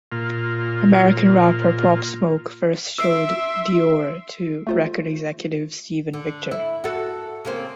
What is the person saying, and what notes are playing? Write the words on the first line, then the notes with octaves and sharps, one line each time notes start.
American rapper Pop Smoke first showed "Dior" to record executive Steven Victor.
A#2 F4
E5 C6 E6 C7 D7
A3 F4 C5
D3
E4
F#4 A4
C#3 A#3 C4